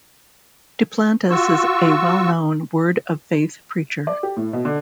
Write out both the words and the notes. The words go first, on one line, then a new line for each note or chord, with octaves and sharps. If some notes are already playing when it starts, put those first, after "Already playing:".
Duplantis is a well-known Word of Faith preacher.
F4 F#4 C#6 E6
D5
G4
A2
B2
D3